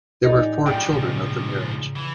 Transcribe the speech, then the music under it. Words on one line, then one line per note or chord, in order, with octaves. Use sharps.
There were four children of the marriage.
A2 D#4 G4 D5 G#5
G#2 F3 D4 G5
A#2 C#3 E7
E3